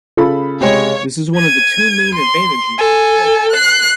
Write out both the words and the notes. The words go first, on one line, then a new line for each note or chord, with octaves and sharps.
This is one of the two main advantages of callbacks.
C#3 F4 A4 B5
C3 G#3 C#5
G#6 D#7
C6
A4 G#5
F#6 C7